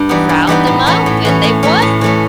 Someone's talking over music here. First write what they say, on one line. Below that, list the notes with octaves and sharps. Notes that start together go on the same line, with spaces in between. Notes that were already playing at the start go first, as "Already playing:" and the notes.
riled them up, and they won.
Already playing: G2
E3 G3 B3 D#4
G2
E3 G3 B3 D#4
A2
E3 A3 C#4
A2
E3 A3 C#4
A2
E3 A3 C#4
A2
E3 A3 C#4